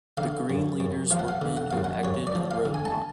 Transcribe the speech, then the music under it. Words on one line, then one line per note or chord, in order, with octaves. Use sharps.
"The Green leaders were men who acted and wrote not".
D3 F5
F#2
F#2
F3 F5
F#5
F5
D3
F#5
F#2 F5
F#5
F#2 C#5
D5
F3
F5
D3
G#5
A5